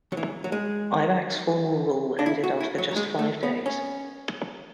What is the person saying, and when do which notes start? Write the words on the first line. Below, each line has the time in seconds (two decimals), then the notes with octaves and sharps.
Aybak's formal rule ended after just five days.
0.12 F#3
0.17 E3
0.44 F#3
0.52 G#3
2.19 D4
2.26 E4
2.44 F#4
2.61 E4
2.78 F#3
2.91 F#3
2.96 G#3
3.19 A3
3.43 B3
3.66 C#4